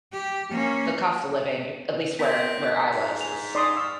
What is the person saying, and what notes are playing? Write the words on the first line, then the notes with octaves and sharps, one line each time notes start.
the cost of living, at least where where I was was
G4
A#3 C#4
B3 C4 A#4 B6
G#2
G#5 F7
D#4 D5 C6 D#6
C#6 E6 F6